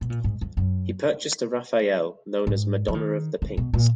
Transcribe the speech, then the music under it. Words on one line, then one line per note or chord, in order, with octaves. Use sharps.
He purchased a Raphael, known as "Madonna of the Pinks".
B2
A#2
G#2
F2
F#2
G#2
F3
D#3
C#3
B2
A#2